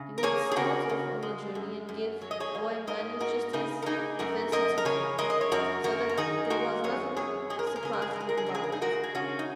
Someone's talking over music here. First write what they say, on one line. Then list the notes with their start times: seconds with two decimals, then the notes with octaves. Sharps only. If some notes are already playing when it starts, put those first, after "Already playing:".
He would start off on a journey and give away money just as the fancy took him, so that there was nothing surprising about it.
Already playing: C#3
0.18 A#4
0.23 A#3 G#4 C#5
0.51 G#4
0.56 C#3 F#4 A#4
0.89 C#3
1.22 G#3
1.55 F#2
1.89 F#2
2.21 F#3 C#5
2.31 D#5
2.40 G#4 C#5
2.55 A#3
2.87 G#2 A#4 D#5
3.20 G#2 F#4 A#4
3.53 C#3 D#4 G#4
3.82 A#4
3.86 A#3 D#4 G#4
4.19 F#2 F#4 A#4
4.52 F#2 A#4 D#5
4.78 A#4
4.85 C#3 G#4 C#5
5.18 G#3 A#4 D#5
5.30 D#5
5.41 C#5
5.52 F#2 F#4 A#4
5.84 F#2 F#4 A#4
6.09 A#4
6.17 D#3 D#4 G#4
6.50 G#3 F#4 A#4
6.84 F#2 G#4 C#5
7.16 F#2 G#4 C#5
7.50 G#3 G#4
7.59 A#4
7.67 G#4
7.76 A#4
7.83 C#3 G#4
7.93 A#4
8.02 G#4
8.11 A#4
8.16 G#3 G#4
8.29 A#4
8.37 G#4
8.47 C#3 A#4
8.55 G#4
8.63 A#4
8.72 D#4 G#4
8.81 G#3 F#4 A#4
9.04 G#4
9.15 C#3 C#4 F#4
9.39 D#4